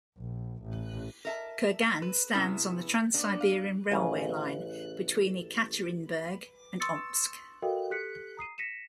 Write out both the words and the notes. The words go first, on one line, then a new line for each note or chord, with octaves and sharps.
Kurgan stands on the Trans-Siberian Railway line, between Yekaterinburg and Omsk.
A#1
A1
A#4 E5 A5
B4
C3 B3 C#4 E4 G#4 B4
B3 D4
F5
A1 C#3
C6 C#6 D#6 E6 A6 C#7
F#4 A4 A#4 D#5 F5 G5
G4 A4 F#6 B6 C#7
A#5 D#6 C7 D#7
A#6 B6 C#7 D#7 E7